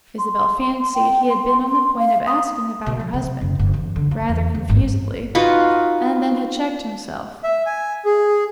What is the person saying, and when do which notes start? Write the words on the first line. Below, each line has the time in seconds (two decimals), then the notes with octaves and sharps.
Isabel fancied he had been on the point of asking about her husband--rather confusedly--and then had checked himself.
0.19 C6
0.95 G5
1.30 C6
1.68 C6
1.99 F5
2.27 D#6
2.86 B2
3.00 F3
3.14 C3
3.41 F#1
3.59 F#1
3.74 E2
3.96 D3
4.11 A#3
4.29 E2
4.55 E2
4.70 G1
5.35 D#4 F4 F#4 B4
7.44 E5
7.66 G#5
8.05 G#4